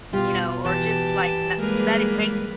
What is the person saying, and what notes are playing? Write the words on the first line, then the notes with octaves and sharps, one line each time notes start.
you know, or just, like, na letti maki
B2 G3 F4 G4
E3 G4 A5
G3 G#3 A#3 G#4 A#4 B4